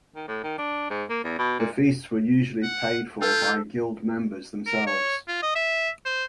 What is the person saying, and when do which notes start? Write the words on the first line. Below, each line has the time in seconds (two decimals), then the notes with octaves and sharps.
The feasts were usually paid for by guild members themselves.
0.15 D#3
0.28 A2
0.43 D#3
0.58 D4
0.90 G#2
1.10 A#3
1.24 E2
1.39 B2
1.59 A#2
2.64 F#5
3.22 F4 A4 G6
4.67 A#4
4.86 C#5
5.28 F4
5.42 D#5
5.55 E5
6.05 C5